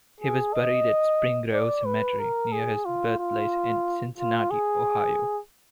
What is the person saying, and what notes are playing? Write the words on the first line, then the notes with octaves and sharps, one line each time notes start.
He was buried at Spring Grove Cemetery near his birthplace in Cincinnati, Ohio.
G#4
D#5
D5
B4
A#4
G#4
F4
F4
F4
G#4